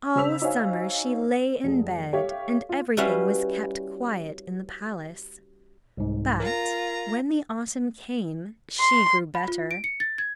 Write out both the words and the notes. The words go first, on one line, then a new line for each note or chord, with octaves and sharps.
All summer she lay in bed, and everything was kept quiet in the palace; but when the autumn came she grew better.
C#3 C5 E6 B6 F7
D#4 F#4 C5 C#5 F5 G#5
F1 G#4
G4 A4 C#5 E5 F5
F4
G3 C#4 E4 F#4 B4 F5
C2 G#2
F4 A#4 A#5
C6
B5
F4
D7
C#7
A6
G#6